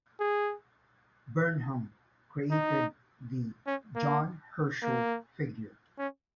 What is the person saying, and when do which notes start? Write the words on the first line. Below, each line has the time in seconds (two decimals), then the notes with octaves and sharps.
Burnham created the "John Herschel" figure.
0.20 G#4
2.51 D#4
3.67 C#4
3.95 A#3
4.83 A#3
5.98 C#4